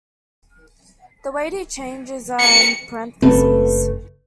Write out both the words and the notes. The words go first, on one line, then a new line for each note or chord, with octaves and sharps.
The Wadey changes are in parentheses.
C#7
F#1 C#3 A3 C4 A4 B4